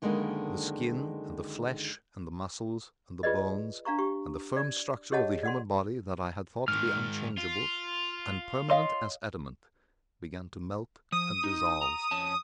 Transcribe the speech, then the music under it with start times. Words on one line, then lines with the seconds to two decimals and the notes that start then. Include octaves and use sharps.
The skin, and the flesh, and the muscles, and the bones, and the firm structure of the human body that I had thought to be unchangeable, and permanent as adamant, began to melt and dissolve.
0.02 F#2 D3 D#3 G#3 A#3 B3
3.23 F4 G#4 B4 D5 D#5
3.85 D4 F5 A#5 C#6
3.98 G4 C#6
4.56 D5
5.12 G4 G#4 C#5 D#5 F#5 A5
5.43 D5 F#5 C6
6.68 G#2 D#3 F6
7.38 F4
8.70 C#5 D#5 F5 C6
11.12 F3 D#6
11.44 D#4
11.81 A#5
12.11 F2 C#4 A5